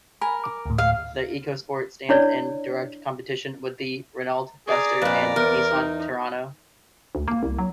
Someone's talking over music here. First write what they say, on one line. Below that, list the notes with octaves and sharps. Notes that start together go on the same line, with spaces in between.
The Ecosport stands in direct competition with the Renault Duster and Nissan Terrano.
A#4 G#5 B5
D6
D2 A2
F5
D4 E4 C#5 D5
G#4 D5 A#5
F2 A#2 B4
E2 A#4
D#4
D2
A#3
C2
F#3